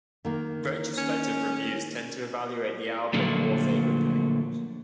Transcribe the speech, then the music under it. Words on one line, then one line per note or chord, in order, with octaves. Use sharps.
Retrospective reviews tend to evaluate the album more favorably.
D#3 A#3
C#4
A#2 D3 F3 F#3 A3 A#3